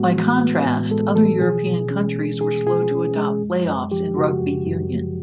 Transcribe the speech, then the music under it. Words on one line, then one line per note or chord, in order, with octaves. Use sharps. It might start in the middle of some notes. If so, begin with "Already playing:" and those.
By contrast, other European countries were slow to adopt playoffs in rugby union.
Already playing: A2 G#3 B3 F#4
E3
B3
A2
G#3 A4
E3 A4
B2 G#4
B2
C#4
G#3
B2 G#4
B2 G#4
C#4
G#3
F#2
F#2
F3 G4
C#3 F#4
F#2
F#2
F3